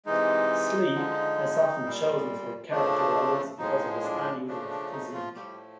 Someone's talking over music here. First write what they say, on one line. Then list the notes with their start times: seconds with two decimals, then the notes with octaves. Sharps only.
Sleep is often chosen for character roles because of his unusual physique.
0.06 C3 E3 G#3 D#4
0.94 D3 F3 G#3
1.83 A#2 G3
2.71 C#3 F3 A3 D4
3.59 A2 F3 G#3 D#4
4.03 D4
4.47 C#3 F3 A3 D4
4.70 D4
4.92 D#4
5.13 F3 F4
5.35 A2 F3 G3 A3 G4